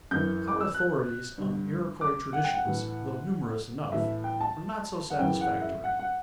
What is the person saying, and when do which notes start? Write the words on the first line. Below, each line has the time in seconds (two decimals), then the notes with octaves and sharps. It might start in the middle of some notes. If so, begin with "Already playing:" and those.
Our authorities on Iroquois traditions, though numerous enough, are not so satisfactory.
0.11 F#2 E3 G6
0.48 D6
0.61 E6
0.74 F#6
1.38 G2 D3
2.01 D6
2.33 F#5
2.44 G5
2.54 F#5
2.65 A2 E3
3.92 A2 E3 E5
4.24 G5
4.40 A5
5.10 F#5
5.19 F#2 C#3 E3 G5
5.41 F#5
5.62 E5
5.84 F#5
5.99 F#5